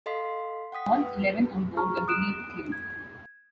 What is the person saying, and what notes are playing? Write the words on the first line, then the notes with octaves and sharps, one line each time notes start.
All eleven on board were believed killed.
A4 D#5 F5 C6 B6 C7
F#5 G5 D#6 B6
B4
G#4 A#5 C#6 F6
D#6 F#6 D7 E7
G#6